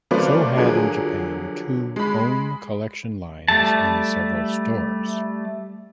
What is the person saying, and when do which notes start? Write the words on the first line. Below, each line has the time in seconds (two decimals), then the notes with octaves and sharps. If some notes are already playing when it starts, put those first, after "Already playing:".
So had in Japan two own collection lines and several stores.
0.11 F#3 A3 A#3 B4 C5 D5
0.57 D3 F3 F#3 G#4 A#4
1.96 G#3 B5
3.48 G3 A3 A5